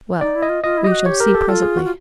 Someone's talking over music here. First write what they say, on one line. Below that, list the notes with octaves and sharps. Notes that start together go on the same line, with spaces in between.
Well, we shall see presently.
D#4 D5
E4
D#5
F4
F4 D#5
E4
G4 D#5
F#4
G4 C#5
A#4
A4
F4 A4
G#4
F#4
F4